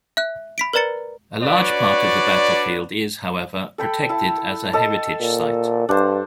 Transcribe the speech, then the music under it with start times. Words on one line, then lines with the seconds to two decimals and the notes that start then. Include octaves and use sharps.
A large part of the battlefield is, however, protected as a heritage site.
0.17 E5 F#6
0.58 B5 B6 D7
0.73 A#4 B4 D5 A#5 A6 C#7
1.42 D4 F#4 B4 C#5 D5
3.78 A4 G5 B5
4.09 E4 A5
4.73 A4 D#5 A5
5.20 A#2
5.89 G2 D4 C5